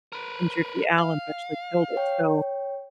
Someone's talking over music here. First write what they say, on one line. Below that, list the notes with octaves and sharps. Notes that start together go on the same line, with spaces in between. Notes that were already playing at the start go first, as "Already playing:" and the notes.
injured the owl and eventually killed it, so,
A#4 B4
F5
C#5 G5